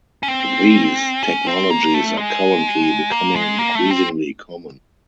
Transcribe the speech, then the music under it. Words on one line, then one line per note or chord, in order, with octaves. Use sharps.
These technologies are currently becoming increasingly common.
C#4
C4
C#4
C4
A#3
A3
G#3
A#3
G#3
A#3
A3
C4